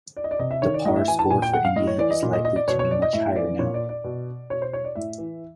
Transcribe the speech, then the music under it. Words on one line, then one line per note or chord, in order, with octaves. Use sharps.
The par score for India is likely to be much higher now.
D5
D#5
D5
C3 D#5
E5
D#3 C#5
D5
A2 D#5
E5
E3 G#5
A5
A#2 G#5
G5
F#5
F5
A2 D#5
C#5
E3 D5
D#5
A#2
D#5
D#5
D5
B2 C#5
C#5
D5
D#5
A2 E5
E3 D5
A#2 C#5
D5
D5
B2
B2 C#5
C5
C#5
D5
A2 E5
E3